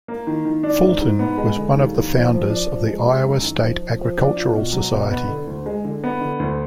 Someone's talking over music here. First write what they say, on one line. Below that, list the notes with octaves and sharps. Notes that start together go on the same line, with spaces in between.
Fulton was one of the founders of the Iowa State Agricultural Society.
A#3
D#3
D#3
D4
G#2
G#2
B3
G#3
D3
D#2
D#2
F3
F3
D4
F3
G#3
G#3
F#2
D#3
F3
F3
F3
D4
F4
B2
F#3
B2
B3
D3
D2
G#3
D3
B3
D3
D2